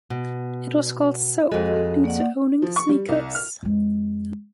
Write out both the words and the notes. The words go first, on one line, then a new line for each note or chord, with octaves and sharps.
It was called “Soap” due to owning the sneakers.
B2
F2 G#3 F#4 A4 D#5
A#3 D5 F#5
F3
C#6
G3
C2
F6
F2 G#3